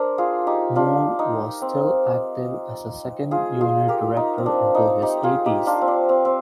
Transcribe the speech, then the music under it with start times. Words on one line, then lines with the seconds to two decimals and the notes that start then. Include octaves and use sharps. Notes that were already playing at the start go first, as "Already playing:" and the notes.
Moore was still active as a second unit director into his eighties.
Already playing: D4 A#4 C5
0.18 F4 G#4
0.47 D#4 G4
0.75 D4 F4
1.19 D#4
1.62 C4
3.31 F4 G#4
3.61 F4 G#4
3.88 G4 A#4
4.17 D#4
4.38 C4
4.46 D4
4.75 D#4
5.02 D#4 G4
5.23 F4 G#4
5.46 D#4 G4
5.67 D4 F4
5.81 C4
5.88 D4
6.09 C4
6.25 C4